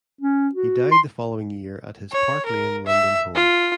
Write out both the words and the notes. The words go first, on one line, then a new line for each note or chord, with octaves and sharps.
He died the following year at his Park Lane London home.
C#4
F#4
C6
C#5
A#4
E5
F4